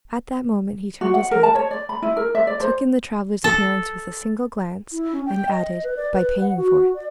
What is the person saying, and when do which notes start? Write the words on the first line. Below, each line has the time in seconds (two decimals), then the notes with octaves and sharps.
At that moment he turned his head, took in the traveller's appearance with a single glance, and added, "By paying for it."
1.01 F#4
1.14 F#5
1.31 A#4
1.43 A5
1.55 C#5
1.71 D5
1.89 B5
2.02 E4
2.17 A#4
2.35 E5
2.47 D5
2.60 C5
3.44 A4
4.91 E4
5.13 C#4
5.26 G5
5.50 D#5
5.84 B4
5.97 D5
6.13 B4
6.41 F#5
6.57 F#4
6.95 D5